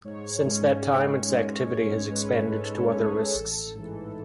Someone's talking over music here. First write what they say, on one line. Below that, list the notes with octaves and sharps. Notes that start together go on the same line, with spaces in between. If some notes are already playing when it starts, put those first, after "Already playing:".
Since that time its activity has expanded to other risks.
G#2 C#5
G#3 C#4
G#2
G#3 C#4
G#2 C#5
G#3 C#4 B4
G#2 A4
G#3 C#4 G#4
A1 A4
G#2 E3